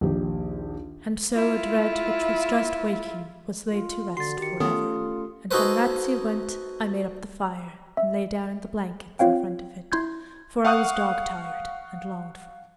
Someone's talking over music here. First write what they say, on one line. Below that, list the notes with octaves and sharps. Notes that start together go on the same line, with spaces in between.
And so a dread which was just waking was laid to rest for ever; and when Ratsey went I made up the fire, and lay down in the blankets in front of it, for I was dog-tired and longed for sleep.
A#1 D#2 D#3 D#4 G4
E4 F4
F4
D3 F#4 C6 A6 C7
D#3 G4 C#7
D#3 A3 B3 C#4 F4 A4 D#6
D#4 F#4 G#4 A4 B4 C5
E5
C4 F4 C#5 F5 G5
E4 C6 G6 G#6
F5 F#5 C#6 D#6 F#6